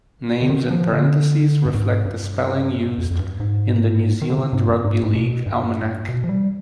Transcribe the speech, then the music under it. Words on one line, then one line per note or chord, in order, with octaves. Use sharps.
Names in parenthesis reflect the spelling used in the "New Zealand Rugby League Almanac".
D3
D#3
F3
D3
G2
G#2
G2
F2
F2
G2
G#2
D#3
D3
C3
G#2
G2
G#2
G#2
B2
G2
B2
F3
G3